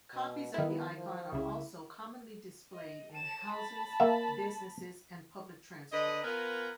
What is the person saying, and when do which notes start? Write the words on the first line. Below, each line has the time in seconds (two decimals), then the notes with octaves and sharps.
Copies of the icon are also commonly displayed in houses, businesses, and public transport.
0.14 B2
0.54 D#3 B3 E4
0.97 F3
1.32 C2 C#3 E4
2.71 D#5
3.12 A5 E7
3.52 A5 B5
4.00 A#3 E5
5.93 D3 A4 B4 D#5
6.23 B3 F4 A#4 B4 G#5 A#5